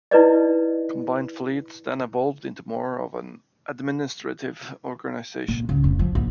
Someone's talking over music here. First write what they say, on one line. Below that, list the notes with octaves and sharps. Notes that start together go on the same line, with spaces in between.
Combined Fleet then evolved into more of an administrative organization.
D#4 E4 B4 D5 D#5
A#2
C#2
F1
F3
A#1